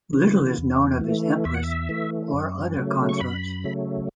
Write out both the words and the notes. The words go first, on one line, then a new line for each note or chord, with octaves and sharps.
Little is known of his empress or other consorts.
C#3 E3
E2
E3 A3
E2 E5
F#5
E5
E3 A3
F#2
C#3 F#3 A3
C#6
F#2 B5
C#3 F#3 A3